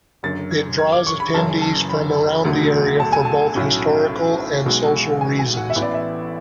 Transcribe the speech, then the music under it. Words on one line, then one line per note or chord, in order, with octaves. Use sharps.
It draws attendees from around the area for both historical and social reasons.
F#1 F#2 D3 A6
G#6
G#6
D6
C#6
B5
F#1 F#2 C#3 E3 A5
A5
B5
E1 D2 D3 F#3 A3
A5
G#5
A5
B1 A2 F#3 C#4
B1 B2 G#3
G#5
G#5
F#5
E5
A1 A2 E3 B3 E4
D5
E5